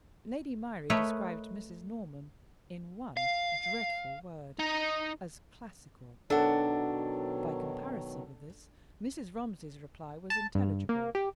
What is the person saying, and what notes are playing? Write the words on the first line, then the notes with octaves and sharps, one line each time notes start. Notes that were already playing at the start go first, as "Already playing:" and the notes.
Lady Myrie described Mrs. Norman, in one dreadful word, as "Classical." By comparison with this, Mrs. Romsey's reply was intelligible.
A3 A#4 B4 C#5 D#5
F5
D#4
B2 D#3 F#3 D4 A4 F#5
A5
G2
A#3
G4